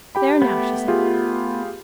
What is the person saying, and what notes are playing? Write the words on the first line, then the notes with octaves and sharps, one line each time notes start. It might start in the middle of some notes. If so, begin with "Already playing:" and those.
'There, now!' she said.
G4 G5 B5
A3 B3
F4 G4 G#4